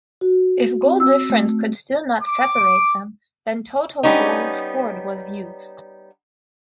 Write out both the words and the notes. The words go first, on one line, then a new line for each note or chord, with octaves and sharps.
If goal difference could still not separate them, then total goals scored was used.
F#4
C4
E6
A3
D6
G3 B3 C#4 D#4